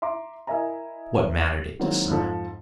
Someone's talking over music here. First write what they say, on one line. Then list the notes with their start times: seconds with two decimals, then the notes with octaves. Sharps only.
What mattered it to Simon?
0.02 E5 A#5 C6 D6
0.47 E4 A#4 D#5 E5 G#5 A#5
1.80 D#3 E3 F#3 G#3 A#3 C4
2.09 F2 G#2 F3 A4